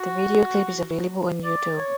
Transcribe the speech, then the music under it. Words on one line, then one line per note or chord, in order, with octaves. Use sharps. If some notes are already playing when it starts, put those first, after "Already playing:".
The video clip is available on YouTube.
Already playing: F#4
D5
C#5